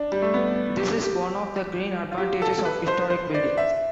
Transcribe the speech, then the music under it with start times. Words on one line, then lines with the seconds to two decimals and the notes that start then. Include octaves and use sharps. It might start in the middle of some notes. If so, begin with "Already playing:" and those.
This is one of the "green" advantages of historic buildings.
Already playing: D4
0.12 G3
0.22 A3
0.34 B3
0.80 G4
1.02 G4
2.12 F4
2.18 G4
2.42 A4
2.65 B4
2.88 C5
3.10 C5
3.34 D5
3.57 E5